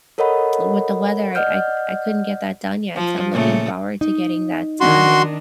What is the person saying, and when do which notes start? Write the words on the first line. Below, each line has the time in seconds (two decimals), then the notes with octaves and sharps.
with the weather, I I I couldn't get that done yet. So I'm looking forward to getting that done and,
0.18 A4 A#4 C#5 D#5 F#5 B5
1.35 D5 D#5 F#5 F6 G6
2.95 F3
3.31 A#2 C#3 A3
4.01 D#4
4.80 D#3 D4 F#4 C6